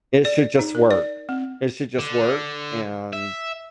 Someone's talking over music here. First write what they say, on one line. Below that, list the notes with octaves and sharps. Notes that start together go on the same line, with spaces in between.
It should just work. It should just work, and
D5
D#4
A#4
D5
C4
D3
E5